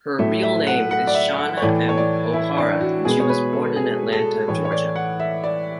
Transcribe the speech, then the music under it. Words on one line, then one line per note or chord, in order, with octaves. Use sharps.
Her real name is Shana M. O'Hara, and she was born in Atlanta, Georgia.
A2 F#3 A3 E5
E5
F#5
F#5
D5
E5
F#5
C#5
A2 E3 A3 D5
C#5
D5
E4
D4
F#4
B2 G#3 B3 G#4
C#5
B4
A4
G#4
A4
A2 E3 A3 C#5
C#5
D5
F#5
E5
D5